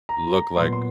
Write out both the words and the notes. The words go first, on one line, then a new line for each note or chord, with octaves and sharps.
look like
A#5
A#5
A#2 F#3 B3 C6
C6